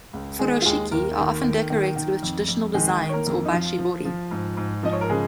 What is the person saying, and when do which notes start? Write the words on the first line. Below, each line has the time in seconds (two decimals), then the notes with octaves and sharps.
"Furoshiki" are often decorated with traditional designs or by shibori.
0.13 C#2
0.39 D#3 G#3 G#4
0.62 F4
0.65 D#2 G#3 G#4
0.91 D#2 A#3 A#4
1.18 D#3
1.44 D#3
1.70 D#3
1.96 D#3
2.23 F2
2.48 F2
2.74 D#3 G#3 G#4
3.01 D#3
3.09 C#5
3.13 A#3 A#4
3.27 F2
3.45 D#4
3.52 F3 F4
3.79 F3
4.05 F3
4.31 G#2
4.57 G#2
4.83 F3 D#5
4.93 C#5
5.01 A#4
5.10 C#3 G#3 G#4